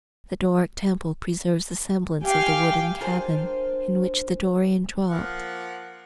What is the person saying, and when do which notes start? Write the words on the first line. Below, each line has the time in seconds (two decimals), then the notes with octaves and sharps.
The Doric temple preserves the semblance of the wooden cabin in which the Dorian dwelt.
2.23 G4 F5 G5 G#5
3.01 D4 F4 A#4 C5 G#5
5.10 F3 A#3 F#5